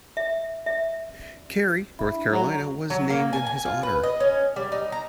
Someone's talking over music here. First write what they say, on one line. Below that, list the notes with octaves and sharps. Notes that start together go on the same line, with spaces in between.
Cary, North Carolina was named in his honor.
E5
E5
E4 E5 B5
D4
F#3
F#3
A#3
G#5
G#5
F4
B4
D#5
C#4
G3
D#4
A#5